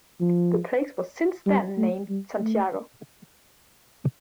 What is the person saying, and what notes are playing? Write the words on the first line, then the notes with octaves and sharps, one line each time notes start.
The place was since then named Santiago.
F3
G3
A3
G3
A3